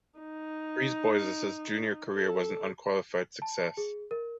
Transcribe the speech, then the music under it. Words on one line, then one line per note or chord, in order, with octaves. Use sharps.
Brisebois's junior career was an unqualified success.
D#4
A4
A5
G#4
A#4